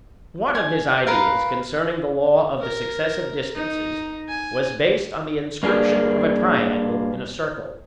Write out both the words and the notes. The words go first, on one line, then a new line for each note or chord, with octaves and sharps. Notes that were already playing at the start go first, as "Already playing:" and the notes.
One of his ideas concerning the law of the successive distances was based on the inscription of a triangle in a circle.
G#5
A#4 B4 F5
A#4
D#4
G#5
G2 A#3 D4 G#4 A#4